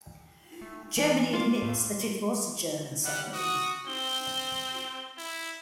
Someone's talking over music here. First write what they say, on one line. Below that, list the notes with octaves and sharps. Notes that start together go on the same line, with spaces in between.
Germany admits that it was a German submarine.
A3
E3 G#5
F4 F5 D6
A2
G3 F#5
F#4 D#6
C4 G7
E4